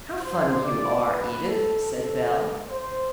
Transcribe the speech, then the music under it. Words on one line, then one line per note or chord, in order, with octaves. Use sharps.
"How funny you are, Edith," said Belle.
C5
D5
B4
A4
A4
C5